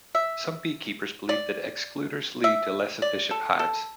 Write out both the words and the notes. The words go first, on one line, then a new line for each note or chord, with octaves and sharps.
Some beekeepers believe that excluders lead to less efficient hives.
E5
D5
E5
D5
A4
A4